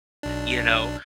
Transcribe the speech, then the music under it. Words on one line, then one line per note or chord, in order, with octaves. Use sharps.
you know,
B1 D4